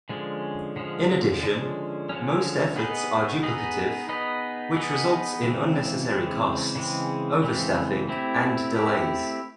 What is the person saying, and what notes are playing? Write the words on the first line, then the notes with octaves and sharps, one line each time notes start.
In addition, most efforts are duplicative, which results in unnecessary costs, overstaffing, and delays.
D3 F3 G#3 C#4
D3 F3 G#3 C#4
D3 F3 G#3 C#4
D3 F3 G#3 C#4
B3 D#4 G#4 B4 D#5
B3 D#4 G#4 B4 D#5
B3 D#4 G#4 B4 D#5
B3 D#4 G#4 B4 D#5
C#3 E3 G#3 C4
C#3 E3 G#3 C4
C#3 E3 G#3 C4
C#3 E3 G#3 C4
A3 C4 E4 G4
A3 C4 E4 G4